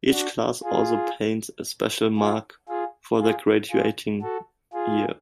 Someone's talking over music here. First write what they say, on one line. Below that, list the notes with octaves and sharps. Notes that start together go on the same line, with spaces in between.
Each class also paints a special mark for their graduating year.
D4 F#4
F4 G#4
F4 G#4
F4 G#4
F4 G#4
F4 G#4
F#4 A4
F4 G#4